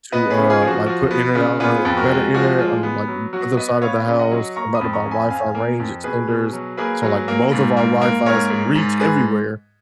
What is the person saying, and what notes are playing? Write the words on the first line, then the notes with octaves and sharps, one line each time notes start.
to, uh, like put internet on better internet on like other side of the house, I'm about to buy Wi-Fi range extenders, so like both of our Wi-Fis can reach everywhere.
B3 B4 D#5
G#4 B4
C#3
F4 G#4
F3
F#4
F3 F#4
B3
C#3
B3 F4 G#4
F2
F#4 A#4
G#3
F3 F#4
G#3 F4
B3
F#3
F#3 F#4
B3 B4 D#5
B3 C#5 F5
C#3
D#5 F#5
F#3
A#3 A#5 C#6
B5 D#6
F2
A#5 C#6
F2
G#5 B5
F2 F5 G#5
A#3
F2
B2 G#4 B4
B2
F#3
A#3 G#4 B4
F#3
A#3
G#2
A#3
A#3
G#2 A#4 C#5
G#2
G#2
G#4 B4